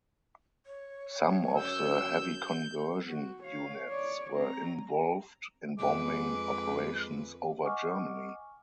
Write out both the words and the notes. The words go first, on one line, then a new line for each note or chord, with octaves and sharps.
Some of the heavy conversion units were involved in bombing operations over Germany.
C#5
F#2 E6 G6
F#4
C#5 F5
C#5 D5
C4 A#5
F2 G#3 B4 D6
D#5 F#5 G#5 C#6 D6 F6